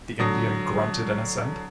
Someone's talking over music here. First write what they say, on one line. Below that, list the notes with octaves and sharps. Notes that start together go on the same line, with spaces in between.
The Indian grunted an assent.
D3 F#3 D#6 A#6